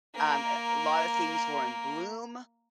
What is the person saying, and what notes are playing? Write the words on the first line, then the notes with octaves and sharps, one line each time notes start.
Um, a lot of things were in bloom.
A#3 A#4